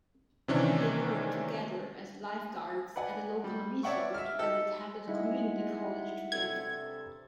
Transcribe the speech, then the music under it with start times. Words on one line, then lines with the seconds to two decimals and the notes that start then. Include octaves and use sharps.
They worked together as lifeguards at a local resort and attended community college together.
0.48 C3 D#3 E3 C#4 D4
2.96 B4 D5 F#5 G#5
3.44 G3
3.83 C#5 D5 E5 F#5 G5 C#6
4.14 E5 F6
4.39 D#4 G4 A4
5.08 G3 G#3 D#4 E4 E5 F#5
6.32 G2 C3 A4 G#6